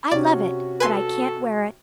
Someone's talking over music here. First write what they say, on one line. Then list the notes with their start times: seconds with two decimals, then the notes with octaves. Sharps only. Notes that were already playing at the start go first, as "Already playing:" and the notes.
I love it, but I can't wear it.
0.11 C3 C#4 F#4 D5
0.80 A4 B4 G#5 C6